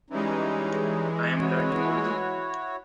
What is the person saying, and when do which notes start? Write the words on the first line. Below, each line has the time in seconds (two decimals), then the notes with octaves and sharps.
I am learning Urdu.
0.10 E3 G3 G#3 C#4 D#4
1.39 E4 F#4 C#5